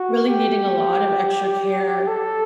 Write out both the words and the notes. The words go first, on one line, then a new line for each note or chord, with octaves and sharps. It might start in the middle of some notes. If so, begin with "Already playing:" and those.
really needing a lot of extra care,
Already playing: F#4
G4
A4